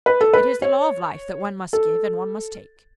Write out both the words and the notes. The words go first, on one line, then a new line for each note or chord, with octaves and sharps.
It is the law of life that one must give, and one must take.
B4
A4
B4
C#5
A4